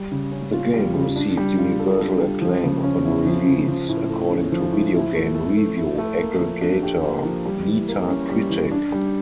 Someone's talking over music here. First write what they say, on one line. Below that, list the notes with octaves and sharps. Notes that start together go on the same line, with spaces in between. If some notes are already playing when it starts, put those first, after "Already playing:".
The game received "universal acclaim" upon release according to video game review aggregator Metacritic.
Already playing: G3
C#3
C#4
F4
G3
C#3
D4
G3
F4
A4
D4
G3
F3
C#3
C#4
E4
F3
C#3
F3
A2
A3
C#4
F3
A2
E4
A3
A4
A3
E4
A3
A#3
F3
D4
G4
A#3
F3
G3
E3
A#3
C#4
G3
E3
D4
G3